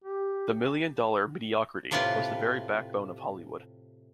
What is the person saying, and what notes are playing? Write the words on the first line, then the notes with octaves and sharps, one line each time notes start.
The million-dollar mediocrity was the very backbone of Hollywood.
G4
A2 C3 F4 G4 B4 F5